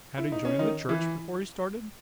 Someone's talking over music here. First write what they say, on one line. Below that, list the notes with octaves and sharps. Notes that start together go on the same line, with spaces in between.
Had he joined the church before he started?
E4
D#4
C#4
D#3 D#4
E3 E4